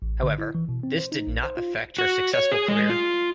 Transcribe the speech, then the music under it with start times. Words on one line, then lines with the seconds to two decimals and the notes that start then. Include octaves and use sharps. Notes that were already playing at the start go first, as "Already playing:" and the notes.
However, this did not affect her successful career.
0.02 A1
0.23 D3
0.38 E4
0.55 E3
0.69 B2
0.83 C4
0.98 C5
1.12 D#4
1.27 A#1
1.43 C5
1.57 F4
1.99 F#4
2.33 C#5
2.52 G#4
2.68 G#3
2.90 F4